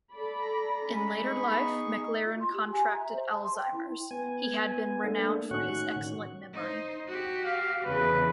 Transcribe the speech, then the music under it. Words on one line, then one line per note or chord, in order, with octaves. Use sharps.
In later life, McLaren contracted Alzheimer's; he had been renowned for his excellent memory.
A4 D5 B5
A#5
G#3 A3 C#4 B5
B3 D#4 G#4 C#6
F4
C6
G4
G#5
A#5
E5
C5
A5
C6
G5
E4
B3 G#5
A3 A#3 D4 A4
A2 D#3 C#4 F#4 C#6 F#6
D#4 C5
F#4 G4
F5
E2 C#3 B4